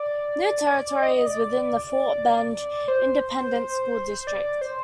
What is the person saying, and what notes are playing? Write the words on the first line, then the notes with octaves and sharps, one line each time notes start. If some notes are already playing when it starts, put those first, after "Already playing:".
New Territory is within the Fort Bend Independent School District.
Already playing: D5
D5
D#5
D5
C5
D5
C5